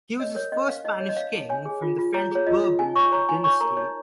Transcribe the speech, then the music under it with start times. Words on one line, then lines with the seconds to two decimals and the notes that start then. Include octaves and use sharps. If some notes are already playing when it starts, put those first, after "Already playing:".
He was the first Spanish king from the French Bourbon dynasty.
0.19 C#5 D#5
0.35 A#4 C#5
0.52 C#4 D#5
0.68 C#4 F5
0.84 D#4 D#5
1.00 C#5
1.09 D#5
1.16 C#5 F5
1.33 D#4
1.49 C#5 G#5
1.65 G#4
1.82 F4
1.98 F4
2.14 C#5 A#5
2.31 G#4 C#5
2.47 F4 D#5
2.64 F4
2.79 D#4 G#5
2.96 C#5 C#6
3.12 C#5 A#5
3.29 D#4 G#5
3.44 C#5 C#6
3.61 A#4 A#5
3.77 D#4 C#5